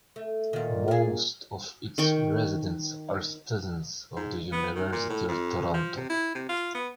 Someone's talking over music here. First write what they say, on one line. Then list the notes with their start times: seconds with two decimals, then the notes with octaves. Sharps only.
Most of its residents are students of the University of Toronto.
0.16 A3
0.53 A#2 D#3 F4
0.88 F4 G#4
1.98 D#3 G5 C#6
4.17 G#2
4.53 B3
4.75 D#3
4.92 A#2
5.09 A2
5.28 F2
5.74 F3
5.97 C3
6.10 E4
6.35 C3
6.49 F4
6.74 B3